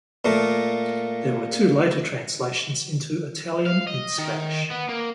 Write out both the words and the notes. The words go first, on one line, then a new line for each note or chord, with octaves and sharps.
There were two later translations into Italian and Spanish.
A#2 A3 A#3
F5
D#5
D#3
B3
A#3